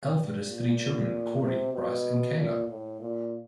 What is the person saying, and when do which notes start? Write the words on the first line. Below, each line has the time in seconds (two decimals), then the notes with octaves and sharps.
Alford has three children, Kory, Bryce and Kayla.
0.15 G2
0.47 A#2
1.42 C3
1.74 B2
2.37 A#2
2.69 A2
3.01 A#2